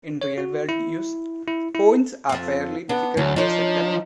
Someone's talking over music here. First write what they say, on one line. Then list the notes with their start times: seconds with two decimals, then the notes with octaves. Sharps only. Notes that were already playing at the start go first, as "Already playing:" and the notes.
In real-world use, points are fairly difficult to set up.
0.21 C#5
0.38 F#4
0.69 E4
1.48 E4
1.75 E4
2.29 F2 F4
2.89 B3 D4
3.17 D2 F#3 C#4
3.36 F3 D4 D#4 C#5